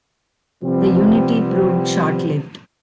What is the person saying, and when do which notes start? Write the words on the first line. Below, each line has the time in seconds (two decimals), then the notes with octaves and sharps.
The unity proved short-lived.
0.62 C3 F3 G3 B3 C4